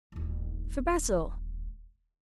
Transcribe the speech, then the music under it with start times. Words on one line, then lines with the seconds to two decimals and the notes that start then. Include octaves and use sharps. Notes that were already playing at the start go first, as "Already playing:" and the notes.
"For Basil?"
0.12 D#1 A1